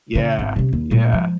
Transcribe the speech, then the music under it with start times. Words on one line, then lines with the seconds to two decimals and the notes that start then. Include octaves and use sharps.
Yeah. Yeah.
0.15 C#3
0.39 G#1
0.56 C3 C#4
0.73 D#2
0.91 A#2 G#3
1.13 F3 G#3